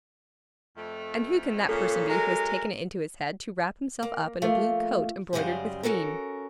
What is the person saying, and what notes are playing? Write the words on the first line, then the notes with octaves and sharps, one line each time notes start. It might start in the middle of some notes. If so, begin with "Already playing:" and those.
"And who can that person be who has taken it into his head to wrap himself up in a blue coat embroidered with green?"
F2 A3
A#2 C#3 A4
F#3 G#3 A#4
A#3
F3 A3 A#3 F4
F#2 C#3 G3 G#3 G#4 C5
C#4 F#4 A4 A#4